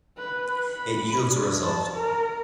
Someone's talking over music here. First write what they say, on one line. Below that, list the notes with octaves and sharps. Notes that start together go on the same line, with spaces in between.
It yields a result.
B4
B5
D4
A5
A#4